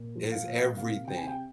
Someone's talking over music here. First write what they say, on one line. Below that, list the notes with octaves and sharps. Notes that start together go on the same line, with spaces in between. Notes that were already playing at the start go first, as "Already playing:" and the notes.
It's everything.
Already playing: A#2
F3
F5
A#2
C3 F5
C3 G5
G#5
G5